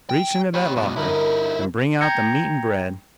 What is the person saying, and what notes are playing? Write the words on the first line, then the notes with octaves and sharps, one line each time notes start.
Reach into that locker an' bring out the meat an' bread.
G5
G4 C#5 B5 C#6
G#2 B2 F#4 D5 D#5
G1 D#4 E4 A#4 B5
G5 A#5 G6 G#6 A#6 C#7